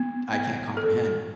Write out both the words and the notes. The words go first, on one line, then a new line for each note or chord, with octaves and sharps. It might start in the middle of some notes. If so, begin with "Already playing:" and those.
I can't comprehend.
Already playing: B3
B3
A4